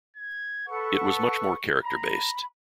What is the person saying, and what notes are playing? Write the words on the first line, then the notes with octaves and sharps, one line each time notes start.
It was much more character-based.
G#6
A4 B4 F#5 C#6
A#5 B5